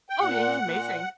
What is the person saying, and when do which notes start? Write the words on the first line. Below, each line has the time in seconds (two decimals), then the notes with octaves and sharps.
Oh yeah, he's amazing.
0.09 G5
0.19 A#2 F#5
0.62 A#2